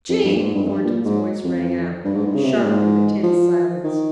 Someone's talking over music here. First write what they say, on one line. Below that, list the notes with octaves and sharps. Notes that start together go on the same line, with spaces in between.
"Gee!" Thornton's voice rang out, sharp in the tense silence.
F2
G2
A#2
G#2
G2
F2
G2
A#2
G#2
F2
G2
G#2
G2
C#3
C3
A#2
G#2
F3
D#3